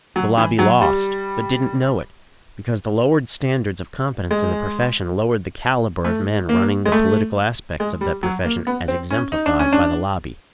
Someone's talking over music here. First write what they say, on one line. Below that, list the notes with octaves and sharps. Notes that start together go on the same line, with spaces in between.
The Lobby lost, but didn't know it--because the lowered standards of competence in the profession lowered the caliber of men running the political aspects of that profession as exemplified by the Lobby.
F#3
E3
F#3
G3
G#3
A3
A#3
G#3
A3
G#3
G3
F#3
A#3
B3
C4
C#4
D#4
D4
C#4
D4